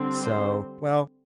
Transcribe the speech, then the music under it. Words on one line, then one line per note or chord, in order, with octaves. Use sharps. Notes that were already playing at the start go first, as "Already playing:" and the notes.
so, well,
Already playing: D3 G3 C4
C5